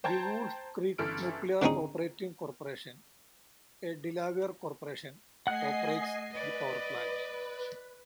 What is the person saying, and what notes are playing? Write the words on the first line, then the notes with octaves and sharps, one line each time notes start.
The Wolf Creek Nuclear Operating Corporation, a Delaware corporation, operates the power plant.
C5 G5 A5 A#5 G#6
G1 C#3 E3 A4 F6 D7
D3 C4 C#4 D#4 G#4
A3 D#5 F#5 G#5 F#6 C7
B4 D5 D#5